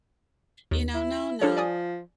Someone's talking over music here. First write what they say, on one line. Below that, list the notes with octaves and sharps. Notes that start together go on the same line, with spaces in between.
you know, "No, no."
D#2
E4
F3 D4 A4 C#5
D5 G#5 D#6